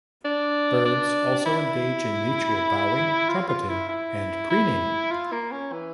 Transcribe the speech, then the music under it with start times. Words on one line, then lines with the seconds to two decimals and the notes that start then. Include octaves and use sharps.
Birds also engage in mutual bowing, trumpeting, and preening.
0.25 D4
0.85 D4
1.45 E4
3.29 F4
3.49 F4
3.69 E4
3.89 E4
4.50 E4
5.11 F4
5.32 A#3
5.51 C#4
5.73 E3